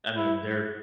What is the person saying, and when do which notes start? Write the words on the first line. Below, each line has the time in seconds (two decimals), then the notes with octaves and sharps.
I mean, they're
0.16 E4